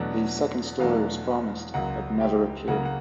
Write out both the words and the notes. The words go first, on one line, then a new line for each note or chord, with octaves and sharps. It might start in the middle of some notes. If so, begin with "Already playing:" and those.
A second story was promised, but never appeared.
Already playing: E2 B2 F#3 A3 D4 F#5
E2 B2 F#3 A3 D4 F5
C#2 C#3 F#3 A#3 F#5
G4 G5
C#2 C#3 F#3 A#3 F#5
F#5